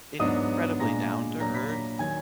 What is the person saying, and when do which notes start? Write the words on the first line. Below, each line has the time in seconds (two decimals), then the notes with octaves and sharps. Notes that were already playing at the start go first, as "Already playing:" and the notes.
incredibly down-to-earth,
0.19 G#2 F#3 B3 D4 D#5 D#6
0.79 A#2 G#3 D4 A#5 A#6
1.40 A#2 F#3 D4 A#5 A#6
1.55 B5 B6
1.69 A#5 A#6
1.99 D#3 F#3 G#5 G#6